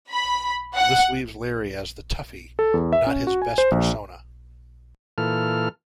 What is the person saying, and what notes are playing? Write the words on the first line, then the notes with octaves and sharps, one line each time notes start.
This leaves Larry as the toughie - not his best persona.
B5
F#5
A4
E2
E5
C#4
F#4
G#5
C5
A#1
A#2 E3 A4 F6